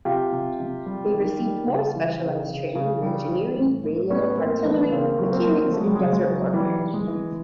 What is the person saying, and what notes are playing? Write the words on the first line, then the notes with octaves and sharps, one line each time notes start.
They received more specialised training in engineering, radio, artillery, mechanics and desert warfare.
C3 F4 G4
C3
C3
G3
D#3
G3
C#3
E3
C#3
C#3
C#3
G3
E3
A2
A2
A2 B3 C#4
A2 A#3 C4
E3 A3 B3
C#3 A#3 C4
F#3
A#3 C4
F#3
F#3 A3
G#3
G3
C#3 G#3
G#3
F#3
E3 G3
E3
G#3
E3